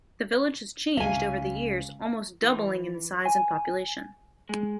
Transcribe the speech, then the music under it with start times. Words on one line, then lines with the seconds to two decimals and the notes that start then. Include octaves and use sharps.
The village has changed over the years almost doubling in size and population.
0.97 C#2 C3 F5 G#5
2.43 E3
3.25 G#5
4.49 G#3